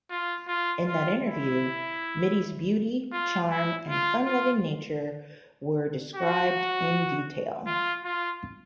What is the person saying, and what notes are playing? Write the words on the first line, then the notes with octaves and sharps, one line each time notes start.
In that interview, Mittie's beauty, charm, and fun-loving nature were described in detail.
F4
F4
F4
E4
F4
E4
F4
F4
F#4
F4
F4